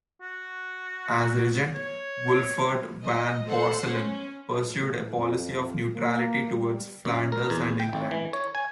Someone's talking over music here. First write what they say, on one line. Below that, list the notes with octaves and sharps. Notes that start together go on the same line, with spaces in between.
As regent, Wolfert van Borselen, pursued a policy of neutrality towards Flanders and England.
F#4
C#5
D#5
A4 C5 F#5 C6
C#4
A2
F2
A#3
G3
F#2
A#4
E2
G5
G#1
E3
C#5
G#5